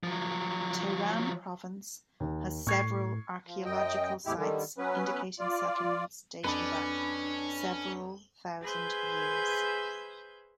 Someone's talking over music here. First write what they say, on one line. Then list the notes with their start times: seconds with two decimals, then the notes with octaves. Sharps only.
Tehran Province has several archaeological sites indicating settlements dating back several thousand years.
0.03 F3 F#3
2.20 D#2
2.67 A2 C#6 G#6 C7
3.47 F3
3.65 F#2 D#5 G5
4.26 E2 A2 G#3 E4 G4
4.37 D3 D#3 G3
4.78 F#3 B3 C#4 B4
5.39 F4 D5
6.44 F2 C#4 D4 B4 D5 B5
8.61 G#4 B4 C5 E5 G6 G#6